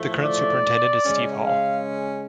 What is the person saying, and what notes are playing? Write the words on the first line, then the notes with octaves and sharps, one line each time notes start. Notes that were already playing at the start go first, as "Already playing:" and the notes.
The current superintendent is Steve Hall.
Already playing: A2 F3 A3
D5
C#3 G#3 C#4
F5